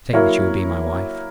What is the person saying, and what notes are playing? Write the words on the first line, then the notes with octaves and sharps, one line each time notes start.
"Say that you will be my wife."
F#3 A#3 E4 A#4 C#5